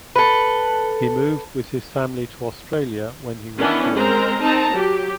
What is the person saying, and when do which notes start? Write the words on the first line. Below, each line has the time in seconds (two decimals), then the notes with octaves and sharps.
He moved with his family to Australia when he was four.
0.16 A4 B4
3.56 D#3 E3 B3 C#4 D4 E4
3.95 G#3 C4 A#4 C5 A#5
4.40 C4 D#4 A5 A#5
4.73 F#3 G4